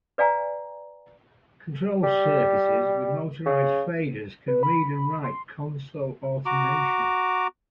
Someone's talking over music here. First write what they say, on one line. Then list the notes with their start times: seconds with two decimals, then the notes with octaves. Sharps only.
Control surfaces with motorized faders can read and write console automation.
0.18 B4 D5 F5 G#5 A#5
2.03 G3
3.46 C#3
4.48 B4
4.63 B5
5.24 C6
6.46 F#4 A#5 D6